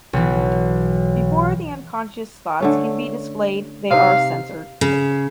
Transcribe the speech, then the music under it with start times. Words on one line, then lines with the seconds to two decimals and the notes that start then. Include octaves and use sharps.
Before the unconscious thoughts can be displayed they are censored.
0.13 B1 E3
2.60 D3 A3 C#4
3.91 C3 D#4 F5
4.81 C#3